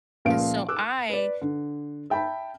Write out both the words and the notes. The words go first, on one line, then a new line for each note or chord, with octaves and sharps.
and so I
C#2 A#2 F3 F5 D7
D6 E6 F#6
B4 D5
D3
E5 G5 A5 B5